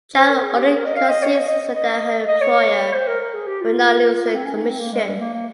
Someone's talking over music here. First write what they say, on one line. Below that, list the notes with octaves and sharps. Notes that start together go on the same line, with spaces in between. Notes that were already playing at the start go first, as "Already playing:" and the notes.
Jan only concedes so that her employer will not lose the commission.
C5
A#4
G#4
G4
G#4
A#4
D#5
F5
D#5
C#5
D#5
D#5
D#5
D#5
C#5
C5
A#4
A#4
G#4
G4
F4
C4
C#4
D#4
C4
A#3
G#3
G3
A#3
A#3